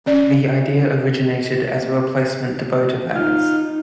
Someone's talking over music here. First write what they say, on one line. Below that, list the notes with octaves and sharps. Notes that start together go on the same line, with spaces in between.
The idea originated as a replacement to bota bags.
C#4 D5
D#4 F4